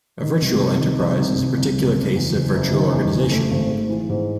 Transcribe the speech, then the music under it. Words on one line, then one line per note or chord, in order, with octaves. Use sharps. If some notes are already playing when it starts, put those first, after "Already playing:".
A virtual enterprise is a particular case of virtual organization.
D#3
C2
C2
D#3
C2
C2
C2
C2
F#1
F#1
E2
F#1
F#1
D#3
E2
F#1
A3
G#1
G#2
E3
G#2